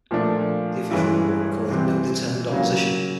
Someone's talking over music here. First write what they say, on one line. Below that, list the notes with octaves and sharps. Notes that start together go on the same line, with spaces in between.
The official report recorded, "no determined opposition".
A#2 F3 A3 D4
G2 E3 G#3 C#4 E4
C3 E3 G3 C4
C#3 F#3 A#3